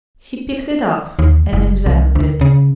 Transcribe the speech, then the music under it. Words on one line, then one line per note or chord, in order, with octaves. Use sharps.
He picked it up and examined it.
D#2
F#1
C2
D2
C#3